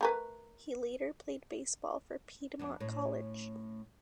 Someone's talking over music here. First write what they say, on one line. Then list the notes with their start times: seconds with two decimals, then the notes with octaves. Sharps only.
He later played baseball for Piedmont College.
0.01 A3 A#4 B4
2.59 F2 B3 D4
2.80 A2 C#4